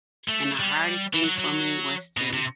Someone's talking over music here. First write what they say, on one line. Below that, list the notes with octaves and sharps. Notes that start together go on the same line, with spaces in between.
and the hardest thing for me was to
A3
G3
E3
F#3
F#3
B2
C3